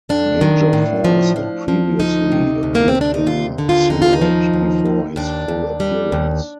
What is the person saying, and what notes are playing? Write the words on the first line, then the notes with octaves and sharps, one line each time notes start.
Major Force had previously appeared in silhouette before his full appearance.
F2 D4
D#3
A2
F3
F3
F3
D2 D#4
C3
D2
A#3
C4
C3
D4
D#4
D#2 F4
D3
F4
D#2 D#4
F4
D#4
F3
D#2
D#2
D#2 D4
D#2
G3
D#2